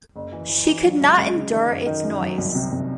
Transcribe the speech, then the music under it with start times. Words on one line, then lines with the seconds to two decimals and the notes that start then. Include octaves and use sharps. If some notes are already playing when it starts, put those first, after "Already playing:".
She could not endure its noise.
0.16 F#1
0.32 E3
0.49 E3
0.67 E3
0.84 F#3
1.01 C#2
1.17 C#2
1.34 C#3
1.53 D#3
1.69 F#2
1.86 D#3
2.03 F#2
2.20 F#3
2.38 C2
2.55 C3
2.72 C2